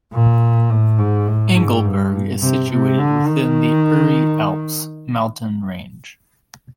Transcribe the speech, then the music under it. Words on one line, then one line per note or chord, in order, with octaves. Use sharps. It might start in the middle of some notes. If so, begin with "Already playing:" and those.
Engelberg is situated within the Uri Alps mountain range.
A#2
A2
G#2
A2
G#2
G2
C3
C3
D3
D#3